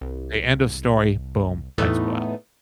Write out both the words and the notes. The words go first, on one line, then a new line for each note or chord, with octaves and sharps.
Say, end of story, boom, lights go out.
C2
E2 A2 E3 A3 B3 D#4